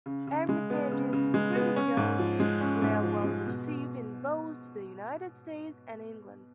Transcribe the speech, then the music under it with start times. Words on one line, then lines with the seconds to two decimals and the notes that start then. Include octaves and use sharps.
Armitage's pretty girls were well received in both the United States and England.
0.06 C#3
0.27 C#3
0.49 G#3
0.70 B3
0.91 C#3
1.13 C#3
1.34 G#3
1.55 B3
1.76 C#4
1.97 G#2
2.19 F3
2.40 G#3
2.61 C#4
2.82 G#2
3.03 F3
3.24 G#3
3.46 B2
3.67 B2